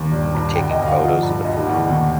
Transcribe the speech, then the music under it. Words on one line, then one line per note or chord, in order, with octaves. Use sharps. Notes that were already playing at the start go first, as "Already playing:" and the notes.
and taking photos of the food,
Already playing: D#2
G2
G2
D2 G5
D#5
D2
F5
F3
G2
D2 D#5
D2
D#2